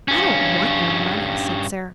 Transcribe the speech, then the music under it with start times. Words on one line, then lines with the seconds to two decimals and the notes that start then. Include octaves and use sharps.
"I don't want your money," said Sara.
0.08 G2 C#4